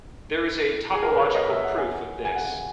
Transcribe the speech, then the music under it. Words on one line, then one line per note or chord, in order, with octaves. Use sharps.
There is a topological proof of this.
G#4
A#4
B4
C#5
D#5
E5
F#5
G#5
G#5
F#5